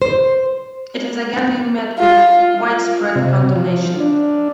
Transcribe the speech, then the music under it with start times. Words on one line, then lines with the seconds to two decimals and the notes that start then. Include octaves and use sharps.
It has again been met with widespread condemnation.
0.02 C5
1.99 F4
2.54 F4
3.15 C3
3.56 F3
4.00 D4